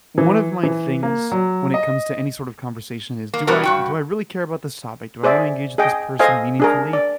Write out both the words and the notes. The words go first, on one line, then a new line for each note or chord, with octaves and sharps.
One of my things when it comes to any sort of conversation is, do I do I really care about this topic? Do I wanna engage with this person meaningfully?
E3
E3
A#3
F#3
D#5
A#3
B2 G3 B3 D4 F#4 A#4
G2 F#4 G5
G#4 C5 D5 E5
G#4 D#5 G5
A4 C5 D#5 F5 G#5
D4 G#4 A#4
D5